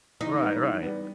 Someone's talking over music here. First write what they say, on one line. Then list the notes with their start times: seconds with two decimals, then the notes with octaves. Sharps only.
Right, right.
0.21 E3 D#4
0.42 G3 B3
0.62 E3
0.83 G3 B3